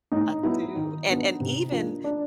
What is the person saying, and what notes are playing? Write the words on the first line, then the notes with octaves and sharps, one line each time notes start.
I do. And and even
A2 D#4
F#3 B3 E4
D#3
F#3 B3 D4
C3
F3 A#3 D4 F4
D4